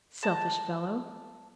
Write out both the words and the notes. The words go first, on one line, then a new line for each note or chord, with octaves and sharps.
"Selfish fellow!"
A5 A#5